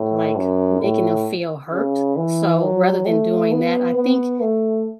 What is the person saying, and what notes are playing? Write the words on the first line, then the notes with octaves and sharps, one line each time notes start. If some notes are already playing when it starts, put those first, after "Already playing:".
like, making them feel hurt, so rather than doing that, I think
Already playing: A2
F#2
A2
C#3
E3
F#3
A3
B3
B3
A3